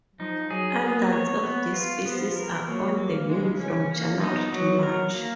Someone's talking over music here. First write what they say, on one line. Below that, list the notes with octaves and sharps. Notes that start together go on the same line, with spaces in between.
Adults of this species are on the wing from January to March.
F3 D#4
F#3 G#4
A#3 B3
C#5
B3
F4
F3 B3
A#4
F#3 A#3
A#3
C#3 G#3
C#4
A#3
B3 D#4
F#3
A#4
A#3